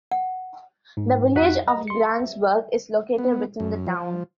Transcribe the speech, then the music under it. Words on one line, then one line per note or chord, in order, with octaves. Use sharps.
The village of Grantsburg is located within the town.
F#5
G#2
F2 D#4 F#4 F#5 F#6 B6
D#5 A#5
C6 C#7
E5
B3
F#2
F3